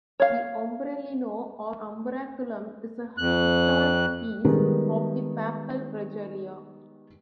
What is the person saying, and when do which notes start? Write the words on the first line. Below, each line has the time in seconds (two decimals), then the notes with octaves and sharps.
The "ombrellino" or umbraculum is a historic piece of the papal regalia.
0.20 C#5 F5
3.18 F2 F#6
4.45 D#3 G3 G#3 B3 A#4